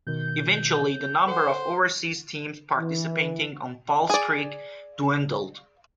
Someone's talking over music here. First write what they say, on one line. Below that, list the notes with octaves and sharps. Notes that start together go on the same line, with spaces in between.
Eventually, the number of overseas teams participating on False Creek dwindled.
B2 D#3 G6
A4 C5 F#5
E3
G#4 D5